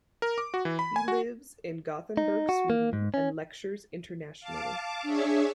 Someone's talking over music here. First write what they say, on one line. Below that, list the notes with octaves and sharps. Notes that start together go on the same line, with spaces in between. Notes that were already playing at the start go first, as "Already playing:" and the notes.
He lives in Gothenburg, Sweden, and lectures internationally.
A#4
D6
F#4
E3
B5
G#5
F#4
D#4
F#4
A#3
G#2
C#4
F5 A5 D6
D4 G#4 C#5 E5